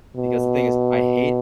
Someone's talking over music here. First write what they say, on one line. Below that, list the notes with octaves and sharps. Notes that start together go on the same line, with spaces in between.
because the thing is, I hate
B2